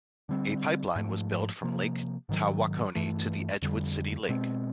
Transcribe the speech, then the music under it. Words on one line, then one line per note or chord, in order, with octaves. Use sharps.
A pipeline was built from Lake Tawakoni to the Edgewood City Lake.
D3 G3 C4
G#2 F3 A3
C3 F3 A#3
G#2 D#3 F#3
G2 E3 A3
F2 D3 G3
B2 G#3 C4